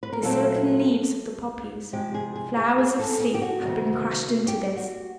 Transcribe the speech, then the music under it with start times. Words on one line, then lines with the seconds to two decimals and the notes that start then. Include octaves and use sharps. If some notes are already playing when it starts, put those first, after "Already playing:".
The silken leaves of the poppies--flowers of sleep--had been crushed into this.
0.03 B4
0.13 A#4
0.23 A#2 F#3 A3 C4 A4
1.93 C3 F3 G#3 G4
2.14 G#4
2.36 G#4
2.57 G#4
2.78 G#4
2.99 A4
3.20 G#4
3.34 G4
3.42 F#4
3.63 D2 C3 D#3
4.48 G4
4.76 F#4